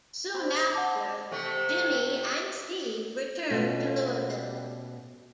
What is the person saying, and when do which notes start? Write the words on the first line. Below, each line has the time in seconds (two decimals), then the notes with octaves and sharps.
Soon after, Jimmy and Steve returned to Louisville.
0.34 C4 B5
0.73 F#5 A5 D6
1.31 C3 A3
3.50 B2 A3 C#4 F4